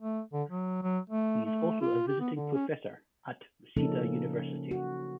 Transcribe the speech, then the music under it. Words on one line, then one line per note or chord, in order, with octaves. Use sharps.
He is also a visiting professor at Waseda University.
A3
D3
F#3
F#3
A3
A3
F4
G4
B3
D3
C#4
C#3 F3 A#3 C#4 D#4 A4
F#4